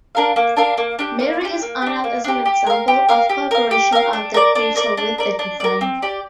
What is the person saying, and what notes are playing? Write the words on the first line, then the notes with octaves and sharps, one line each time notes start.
Mary is honored as an example of co-operation of the creature with the Divine.
D4 A#4 F5
A#3
D4 A#4 F5
A#3
D4 G4
A#3
D4 G4
A#3
D4 G4
A#3
D4 G4
G4
A#4 F5
G4
A#4 F5
G4
A#4 F5
G4
A#4 F5
D4
A#4 D5
D4
A#4 D5
D4
A#4 D5
D4
A#4 D5
C4
G4 D5